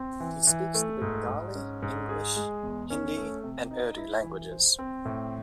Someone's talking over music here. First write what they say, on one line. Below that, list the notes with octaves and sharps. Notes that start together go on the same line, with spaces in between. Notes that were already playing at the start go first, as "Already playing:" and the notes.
He speaks the Bengali, English, Hindi, and Urdu languages.
Already playing: C4
E3
E3
A3
G#2
G#2
C#4
G#2
G#4
G#3
E2
C#4
A3
C3
D#4
E4
E3
C5
C4
A2